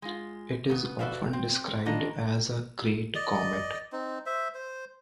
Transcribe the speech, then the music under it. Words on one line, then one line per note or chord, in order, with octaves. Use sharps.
It is often described as a "great comet".
G#3 F4
C#3 B3
F#4 A4 B4 D5 E5 F5
C4
G2 D#3 D4 F4 D#5 A#5
D5 D#5
C4 D#4
C5 E5
C5